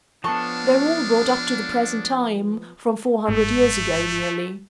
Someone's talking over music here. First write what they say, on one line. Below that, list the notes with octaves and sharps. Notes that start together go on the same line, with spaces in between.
"They're all brought up to the present time--from four hundred years ago, nearly."
F3 B3 D4 A4 C#5 F5 A5 C#6
G1 G#2 A3